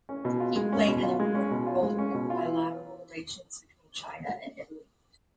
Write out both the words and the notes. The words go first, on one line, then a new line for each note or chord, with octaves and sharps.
He played an important role in the bilateral relations between China and Italy.
C#4
B2
F4
G#3
C#4
B2
F4
G#3
C#4
B2
F4
G#3
C#4
B2
F4
E3